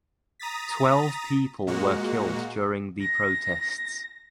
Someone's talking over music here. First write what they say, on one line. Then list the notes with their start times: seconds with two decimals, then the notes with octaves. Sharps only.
Twelve people were killed during the protests.
0.40 A#5 D#6 A6 B6
1.67 A#2 G#3 A#3 F#4
3.01 A#6